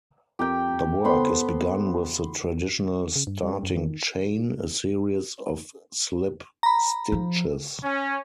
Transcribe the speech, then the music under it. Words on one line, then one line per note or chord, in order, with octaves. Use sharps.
The work is begun with the traditional starting chain, a series of slip stitches.
F2 G4 A#4 G5
B3 A4 C5 F#5 B5 C6
C#3
G2
G3
F#2
D#3
A#5 B5
F3
C#4